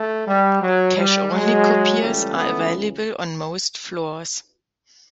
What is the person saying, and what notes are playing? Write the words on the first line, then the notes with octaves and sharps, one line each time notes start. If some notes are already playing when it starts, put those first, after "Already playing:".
Cash-only copiers are available on most floors.
Already playing: A3
G3
F#3
G3
F#3 G#3
C#2 C#3 E3 G3 A3
A3 B3